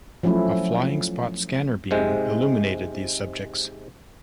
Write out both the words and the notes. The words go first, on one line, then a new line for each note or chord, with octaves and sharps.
A flying-spot scanner beam illuminated these subjects.
F3 F#3 A3 C#4 E4
G#2 C3 G#3